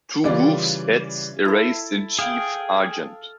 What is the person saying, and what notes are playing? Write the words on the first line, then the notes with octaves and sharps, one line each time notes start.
Two Wolves heads erased in Chief Argent.
C#3 E3 G3 F4 D5
E4 A4
G#4 F5 G5